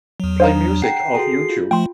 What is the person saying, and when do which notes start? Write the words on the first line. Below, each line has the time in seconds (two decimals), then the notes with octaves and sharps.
Play music off Youtube.
0.20 E2 F#3
0.40 D4 C5 C#5 F5 A#5
0.82 F#5 G5 A#5 C7
1.15 F#4 G#4 A4
1.50 F4
1.71 F3 A3 G5 C6